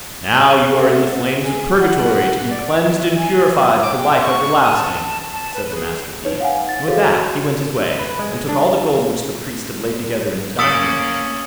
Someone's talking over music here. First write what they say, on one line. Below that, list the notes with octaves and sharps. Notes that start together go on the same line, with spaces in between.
'Now you are in the flames of purgatory, to be cleansed and purified for life everlasting', said the Master Thief; and with that he went his way, and took all the gold which the Priest had laid together in his dining-room.
A3 D4 A4 E5 F#5
G#4
F#5
D5
E5
G#5
D6
G5
C#6
D#6
A5
A5
B4
G#4
D#4 B4 C#5
F5 F#5 G#5
A6
F#4 G#4 A4 C5 C#5 F5
F#4
B4
G#3
D4
A#3 C#4 D#6 E6 A6 B6 C#7